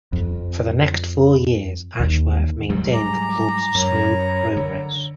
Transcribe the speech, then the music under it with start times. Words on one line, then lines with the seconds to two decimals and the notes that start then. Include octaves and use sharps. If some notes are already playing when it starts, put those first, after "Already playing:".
For the next four years Ashworth maintained the club's smooth progress.
0.13 F2
2.00 D#2
2.70 G#2 F#3 G3
2.93 G#5 A#5 D6
3.75 F#2 A#4 C#5 B5
4.57 D3